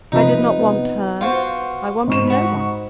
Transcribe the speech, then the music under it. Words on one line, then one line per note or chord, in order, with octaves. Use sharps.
I did not want her; I wanted no one.
C3 F3 D#4 B4
B3
F4 F#4 C5
G#2 C#6 E7
F#4 B5